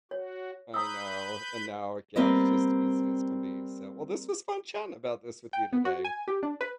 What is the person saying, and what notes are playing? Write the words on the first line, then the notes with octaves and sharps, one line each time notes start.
I know, and now, yeah, it's just easy as can be. So, well, this was fun chatting about this with you today.
F#4 C#5
B4 A#5 B5 D#6 E6 G6
G3 A#3 C4 B4 D#5
G5
B3
F#4
G#5
G4
D4
B4